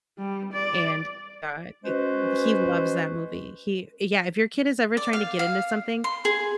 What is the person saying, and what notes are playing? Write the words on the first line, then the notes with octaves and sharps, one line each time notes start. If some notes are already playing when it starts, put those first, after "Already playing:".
and, uh, it he loves that movie, he yeah, if your kid is ever trying to get into something,
G3
D5
G#3 C#4 F#4 B4 C5
D5
F5
F5
C6
G#4